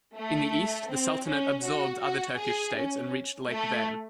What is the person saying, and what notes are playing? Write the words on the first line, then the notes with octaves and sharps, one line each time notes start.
In the east, the sultanate absorbed other Turkish states and reached Lake Van.
A3
C4
C#4
F#4
F#4
G#4
C#4
A3